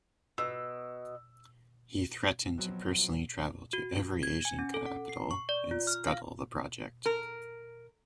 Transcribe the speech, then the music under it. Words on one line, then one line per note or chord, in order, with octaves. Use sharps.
He threatened to personally travel to every Asian capital and scuttle the project.
B2 E6
F2 F#3 B3
F#4
G#6
G#5
C#4
A4
F#5
C7
C#6
D5
F4
F6
F5
A#4